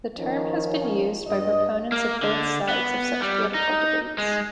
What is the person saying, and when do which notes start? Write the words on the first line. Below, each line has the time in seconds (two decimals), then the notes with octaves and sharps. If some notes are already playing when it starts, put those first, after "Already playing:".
The term has been used by proponents of both sides of such political debates.
0.17 D#3 F3 C#4
1.27 G2 D#5
1.92 A#3
2.23 D3
2.68 B3
3.22 G3
3.54 D#4
4.18 G#3